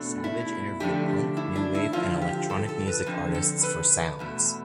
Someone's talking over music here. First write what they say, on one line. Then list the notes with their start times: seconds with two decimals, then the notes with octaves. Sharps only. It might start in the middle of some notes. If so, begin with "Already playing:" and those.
Savage interviewed punk, new wave and electronic music artists for "Sounds".
Already playing: E2 B2 A3 D4
0.24 E4
0.80 D3 F3 A3 D4 G4
1.37 E4
1.56 D4
1.75 E4
1.93 D3 F3 C4 F4
2.21 G4
2.50 A4
2.69 A4
2.87 B4
3.06 D3 F3 C4
3.34 A4
3.63 B4
4.19 E2 B2 A3